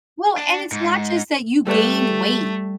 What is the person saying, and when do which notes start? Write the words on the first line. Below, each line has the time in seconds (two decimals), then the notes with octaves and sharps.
Well, and it's not just that you gained weight.
0.37 D4
0.72 G#2
1.67 G3 A3 A4 B4 D5